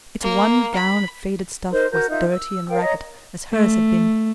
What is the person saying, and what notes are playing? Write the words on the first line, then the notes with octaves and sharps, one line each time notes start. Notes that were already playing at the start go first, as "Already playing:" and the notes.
Its one gown of faded stuff was dirty and ragged, as hers had been.
A#3
B5
D#4 A#4 C5 C6
F#4 A#4 G6
D#4 F4 E5 G6
E6
A#4 F5 G5
C#5 D#5 A#5
A3